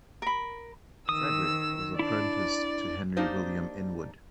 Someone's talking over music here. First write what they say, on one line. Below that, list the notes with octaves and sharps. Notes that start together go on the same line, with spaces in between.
Fredrick was apprenticed to Henry William Inwood.
A#4 B5
D#3 D#6 E6
D4 E4 D5
A#3 D4 D#4 G4 C5